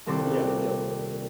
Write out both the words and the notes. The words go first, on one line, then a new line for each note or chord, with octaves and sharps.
Yeah, yep.
D#1 C2 C4 A4 C6 D6